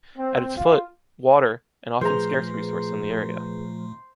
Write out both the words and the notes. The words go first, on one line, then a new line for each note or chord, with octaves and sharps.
At its foot, water, an often scarce resource in the area.
C4
F4
A#2 F3 A3 G#4 B4 C5 A#5